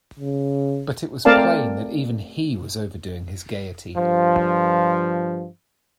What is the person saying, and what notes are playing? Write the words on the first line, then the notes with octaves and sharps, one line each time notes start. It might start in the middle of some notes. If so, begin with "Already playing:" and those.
But it was plain that even he was overdoing his gaiety.
C#3
A3 C4 A#4 D5 F5 A5
G2 F3